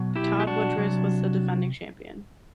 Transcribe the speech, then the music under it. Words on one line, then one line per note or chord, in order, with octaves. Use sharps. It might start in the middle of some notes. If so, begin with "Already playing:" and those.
Todd Woodbridge was the defending champion.
Already playing: B2 F#3
E4 G4
G4
D4 F#4
C3 F#3